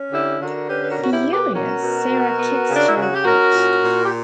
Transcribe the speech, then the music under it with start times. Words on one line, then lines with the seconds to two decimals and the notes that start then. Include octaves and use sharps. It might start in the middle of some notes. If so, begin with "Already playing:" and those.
Furious, Sara kicks Joe out.
Already playing: C#4
0.12 D3 E4 G4
0.40 D3 F#4 A#4
0.69 C#4 G4 B4
0.82 B4
0.90 F#4 A#4
0.98 B2
1.04 F#4
1.12 E4 G4
1.26 B2
1.33 G4 B4
1.54 C#4 F#4 A#4
1.82 B2
2.11 B2
2.39 B3
2.68 C#3
2.76 D4
2.89 E4
2.96 C#3 F#4
3.13 G4
3.25 C#4 F#4 A#4
3.53 A#2
3.82 A#2
4.05 G4